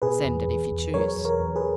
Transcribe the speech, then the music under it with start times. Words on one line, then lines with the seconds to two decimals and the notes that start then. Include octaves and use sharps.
Send it, if you choose!
0.02 B2 G#4 B4
0.25 E2
0.48 E2
0.71 E2
0.94 F#3 A#4 C#5
1.17 E2
1.25 A#4 C#5
1.40 E2
1.56 G#4 B4